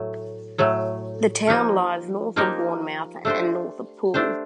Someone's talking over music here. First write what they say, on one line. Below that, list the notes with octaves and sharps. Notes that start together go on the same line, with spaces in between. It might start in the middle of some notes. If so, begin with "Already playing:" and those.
The town lies north of Bournemouth and north of Poole.
Already playing: A2 F#3 A3
A2 F#3 A3
F3 A#3 D#4 G4 A#4
F3 A#3 D#4 G4 A#4
A3 D4 G4 C5
A3 D4 G4 C5